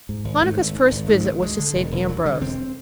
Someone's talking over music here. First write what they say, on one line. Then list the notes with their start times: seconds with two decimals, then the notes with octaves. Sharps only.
Monica's first visit was to St. Ambrose.
0.09 G#2
0.25 G#1
0.42 G#2 A3
0.58 G#1
0.74 G#2
0.91 G#1
1.08 G#2 G#3
1.21 G#3
1.24 G#1 A3
1.42 D2 G#3
1.58 D3
1.76 E1
1.92 E1
2.08 D2 F#3
2.25 D3 G3
2.41 E1 C4